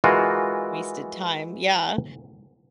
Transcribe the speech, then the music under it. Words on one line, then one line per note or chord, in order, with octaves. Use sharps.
wasted time yeah
E3 G#3 F4 F#4 A#4